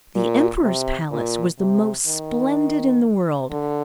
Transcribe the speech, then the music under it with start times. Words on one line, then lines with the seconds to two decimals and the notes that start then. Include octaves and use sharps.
The Emperor's palace was the most splendid in the world.
0.15 A#2
0.63 C3
1.11 A#2
1.59 C3
2.07 D#3
3.51 D3